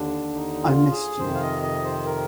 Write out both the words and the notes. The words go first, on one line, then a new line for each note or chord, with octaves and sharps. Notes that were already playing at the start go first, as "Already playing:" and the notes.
I missed you.
Already playing: D#2 D3 D4
D#4
F4
G#4
F2 C3 D#3 C5
F5
D#5
D#5
C5
A#4